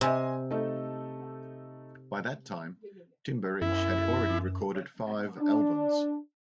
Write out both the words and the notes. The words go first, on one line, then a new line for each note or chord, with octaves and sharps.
By that time, Timbiriche had already recorded five albums.
C3 D#5 G#5 C6
A3 D#4 A4
F#2 E4
D4